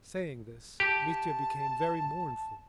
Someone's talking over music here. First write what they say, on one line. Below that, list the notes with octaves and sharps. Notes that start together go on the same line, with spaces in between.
Saying this Mitya became very mournful.
G4 A5